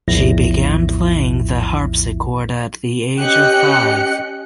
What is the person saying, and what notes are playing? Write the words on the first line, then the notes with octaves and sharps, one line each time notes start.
She began playing the harpsichord at the age of five.
A#1 E2 A2 F3 E4 A#6
C#4 G4 D#5 G5 F#6 C#7